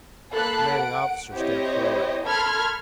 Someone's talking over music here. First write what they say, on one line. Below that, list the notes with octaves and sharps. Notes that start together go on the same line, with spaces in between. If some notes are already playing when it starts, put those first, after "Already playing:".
The commanding officer stepped forward.
A#3 A4 A5 B5 F#6 C7
F#5 D7
C4 E4 G4 C5 C#5 D#5
A4 A#4 B5 C6 F6 G#6